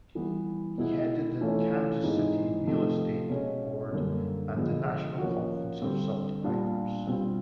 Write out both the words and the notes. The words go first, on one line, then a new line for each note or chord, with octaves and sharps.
He headed the Kansas City Real Estate Board and the National Conference of Subdividers.
E3 G3 B3
B2 G#3 B3 E4
E3 A3 C#4 F4
G#2 E3 G#3 C4 D#4
C3 F3 A3 C4 D#4
B2 G#3 C#4
F#2 D3 G3 A#3
D3 F3 G#3 B3
F3 A#3 C#4 F#4
D3 G3 C4
A#2 G3 B3 D4 F4
B2 G3 C4 F4